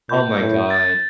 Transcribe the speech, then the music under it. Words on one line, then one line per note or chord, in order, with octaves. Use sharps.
Oh my god.
A#2 G6
A2
A6